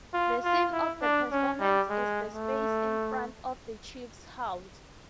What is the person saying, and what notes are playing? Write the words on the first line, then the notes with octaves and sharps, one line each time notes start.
The scene of the performance is the space in front of the chief's house.
F4
F4
E4
D4
C#4
G3
G#3
A3